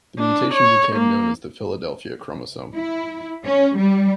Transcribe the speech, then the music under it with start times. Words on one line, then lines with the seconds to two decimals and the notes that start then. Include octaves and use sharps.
The mutation became known as the Philadelphia chromosome.
0.18 D4
0.54 C#5
0.96 A#3
2.75 E4
3.45 C#4
3.77 G3